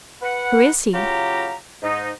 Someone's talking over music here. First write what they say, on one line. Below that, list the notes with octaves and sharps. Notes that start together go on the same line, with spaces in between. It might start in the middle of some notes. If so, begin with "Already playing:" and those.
Who is he?
B4 F#5
C#3 F#3 F4 G4 A#5
G#2 D#4